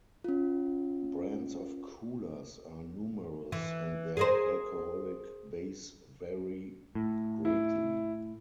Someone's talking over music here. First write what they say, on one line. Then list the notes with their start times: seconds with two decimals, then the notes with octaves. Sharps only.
Brands of coolers are numerous and their alcoholic base vary greatly.
0.24 C#4 F4
3.52 E3
4.17 G#4 A#4 C5
6.95 A2
7.45 E4